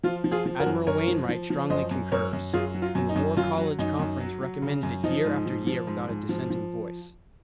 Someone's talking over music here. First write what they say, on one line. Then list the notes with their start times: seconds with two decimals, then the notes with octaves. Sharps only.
Admiral Wainwright strongly concurs, and the War College Conference recommended it year after year without a dissenting voice.
0.03 F3 F4
0.24 F3
0.31 F4 G#4
0.46 F3
0.59 F#4 A#4
0.66 F#2
0.87 F#2 A#4 C#5
1.08 F3
1.29 F3
1.50 F3
1.70 F#2 C5 D#5
1.91 F#2
2.12 F#2 A#4 C#5
2.33 F#2
2.53 F#2 F4 G#4
2.74 F#3
2.82 F4
2.95 F#2
3.09 D#4
3.16 F#2
3.37 F#2 F4
3.58 F#3
3.79 F#2 D#4
4.00 F#2
4.20 F#3
4.41 F#3
4.62 C#3
4.83 F#2
5.04 F3 D#4
5.25 G#2
5.46 F3
5.67 F3
5.87 G#2
6.08 G#2
6.29 F3
6.50 F3